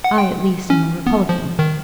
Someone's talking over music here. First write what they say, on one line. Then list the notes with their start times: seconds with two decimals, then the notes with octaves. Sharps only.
"I, at least, am a Republican!"
0.04 F#5
0.18 G5
0.70 C#4
1.07 B3
1.29 F3
1.59 D#3